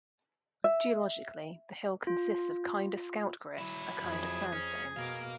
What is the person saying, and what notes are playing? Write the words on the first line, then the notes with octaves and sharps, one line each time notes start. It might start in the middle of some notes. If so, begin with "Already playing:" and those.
Geologically, the hill consists of Kinder Scout Grit, a kind of sandstone.
E5
F4
F#3 E4
F2 G#4
C#4
B2 A#4 F5